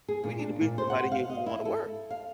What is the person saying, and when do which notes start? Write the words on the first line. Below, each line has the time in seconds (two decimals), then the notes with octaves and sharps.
We need to bring somebody here who wanna work.
0.09 G#4
0.24 A#2
0.39 D4
0.61 A#2
0.78 C5
0.90 F#5
1.12 F5
1.30 D#5
1.46 E4
1.65 A4
2.10 F5